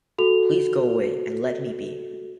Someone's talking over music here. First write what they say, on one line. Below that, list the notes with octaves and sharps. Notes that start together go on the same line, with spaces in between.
Please go away and let me be!
F#4 A4 F7